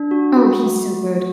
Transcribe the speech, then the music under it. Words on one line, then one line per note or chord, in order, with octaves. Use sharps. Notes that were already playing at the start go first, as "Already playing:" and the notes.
Oh, he's so good.
Already playing: D4
F#4
F#4
A3
F#4
F#4